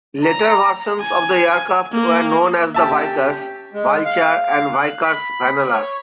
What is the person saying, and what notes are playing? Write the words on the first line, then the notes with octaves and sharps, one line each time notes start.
Later versions of the aircraft were known as the Vickers Vulture and Vickers Vanellus.
A#5
G#5
A#3
C#4 G4 E5 A5
G#3
F5
F#6
B5
C#5